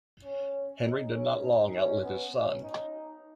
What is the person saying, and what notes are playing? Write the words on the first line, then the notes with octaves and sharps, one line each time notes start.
Henry did not long outlive his son.
C#4
D#4
C#4
D#4
C#4
B3
C#4
D#4